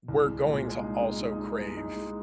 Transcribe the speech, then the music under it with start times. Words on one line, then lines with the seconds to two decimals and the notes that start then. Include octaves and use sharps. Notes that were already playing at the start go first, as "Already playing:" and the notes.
we're going to also crave
0.08 C2
0.27 G#3
0.46 A#2
0.65 G#3
0.83 D#4
1.03 D#4
1.21 D#4
1.40 D#4
1.58 G#3
1.77 D#4
1.96 G#3